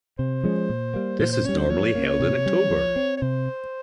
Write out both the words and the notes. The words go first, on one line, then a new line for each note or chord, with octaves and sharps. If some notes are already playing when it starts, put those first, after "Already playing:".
This is normally held in October.
C3 C5
F3 G#3 C#4
A#2
G3 A#3
A#2 C5
C5
G3 C#4 C#5
C5
F3 C#5
A#3 C#4
C3
G3 C#4
F3
C4
C#5
C3 C5